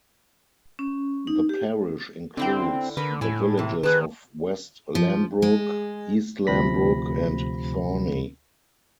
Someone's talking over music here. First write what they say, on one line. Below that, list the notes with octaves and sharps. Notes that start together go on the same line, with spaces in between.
The parish includes the villages of West Lambrook, East Lambrook and Thorney.
C#4
D#4
G4
D3 C4 E4 G5
D3 A#4 B4
A2 E4 G#5
C3 E3
D#3 G#4 B4 A5
F3
G#3
D2 C3 F3 B5 A#6 B6